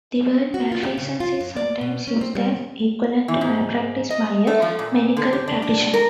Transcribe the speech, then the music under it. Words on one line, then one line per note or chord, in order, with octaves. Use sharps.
The word malfeasance is sometimes used as equivalent to malpractice by a medical practitioner.
F#4
F4
G4
C#3
F4
F#2
D5
B2
C#4
C4
G3
E3
G#2
D#5
A3
F3
A#2
D3
G4
D4
D4
A#4